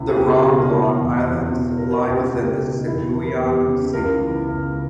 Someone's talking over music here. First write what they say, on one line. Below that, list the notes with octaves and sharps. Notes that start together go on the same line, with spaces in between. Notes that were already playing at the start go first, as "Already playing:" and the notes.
The Romblon Islands lie within the Sibuyan Sea.
Already playing: C#2 B2 E4
G#4
C#2 G4
G#4
B2
A#4
B2
E2
E2
B2
B2 A#4
B4
C#2 G5
E5
C#2 G4
B2
D#4
E2 E4
E3 A#4
B4
E2 G4
C#3
C#2 A#4
E3
C#2